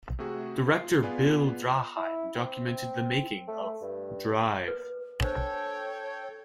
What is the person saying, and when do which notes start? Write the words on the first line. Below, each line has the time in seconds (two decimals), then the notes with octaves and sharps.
Director Bill Draheim documented the making of "Drive".
0.19 C3 A3 F#4 G#4
0.67 F4 C7
1.03 B3 F4 G#4 B4 D5 G#5
1.97 E4
2.36 C4
3.48 A3
3.82 G2
4.68 B4
5.21 D4 A4 C5 C#5 G5